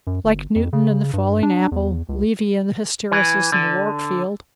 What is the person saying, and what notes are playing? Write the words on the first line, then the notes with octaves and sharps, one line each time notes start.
Like Newton and the falling apple, Levy and the hysteresis in the warp field.
F#2
G1
F2
C#3
G2
D4
E2
C#2
E3
D3